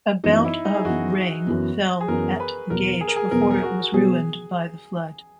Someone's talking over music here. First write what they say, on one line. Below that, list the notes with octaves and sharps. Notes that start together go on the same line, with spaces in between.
About of rain fell at the gauge before it was ruined by the flood.
F#2 E3 B3 D#4
E4
D#4
G#4
F#2 E3 B3 F#4
F#2 E3 B3
G#4
F#2 E3 B3 A#4
B4
E2 B2 F#3 B3 A#4
G#4
A#4
G#4
E2 B2 F#3 B3 A#4
G#4
A#4
F#4
B2 F#3 B3 G#4